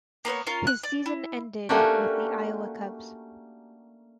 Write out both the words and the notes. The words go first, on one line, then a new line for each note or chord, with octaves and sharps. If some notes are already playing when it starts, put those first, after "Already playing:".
His season ended with the Iowa Cubs.
A#3 B3 C5 C#5
C#4 F4 A#4
F#6
D5
E4
A3 A#3 C#4 D4 F#4 G4